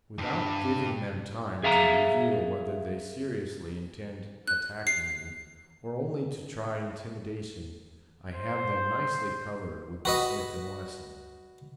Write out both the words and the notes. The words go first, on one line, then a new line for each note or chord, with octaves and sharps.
Without giving them time to reveal whether they seriously intend attacking me, or only to try intimidation, I have them nicely covered with the Smith & Wesson.
E2 G2
G#4 E5 F5 G#5 A#5
F#6
C7
C5
F#4 B4 D#5